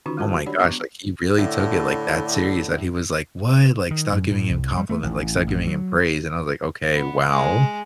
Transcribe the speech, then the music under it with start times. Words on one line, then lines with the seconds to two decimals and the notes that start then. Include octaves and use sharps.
oh my gosh. Like, he really took it like that serious that he was like, why? Like, stop giving him compliment. Like, start giving him praise. And I was like, okay, wow.
0.06 D3 D#3 C#4 D#4 F4 F#4
0.17 G3 G#3 F4 F#4 A#4 A5
0.34 F#4
0.46 D4 G4 C#5 D5 F#5 B5
0.58 B3 F#5 A#5 C#6 D6
1.37 A2 D3
3.91 D#3
4.12 F#2
4.31 A2
4.50 C2
4.77 G3
4.89 A3
5.03 A1
5.47 A1
5.67 F#3
6.94 B3
7.29 G#3